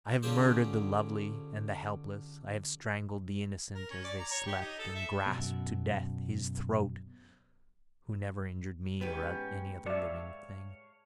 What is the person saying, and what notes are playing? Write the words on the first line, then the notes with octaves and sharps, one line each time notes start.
I have murdered the lovely and the helpless; I have strangled the innocent as they slept and grasped to death his throat who never injured me or any other living thing.
D3 C#4 F4 G4 G#4 C5
A#4
C#4
D5
A#5
C#5
G4
D#4
A4
E5
F#2 B2
G#2 B3 C#4 G4 B4
C#5 D5 E5 F5 A5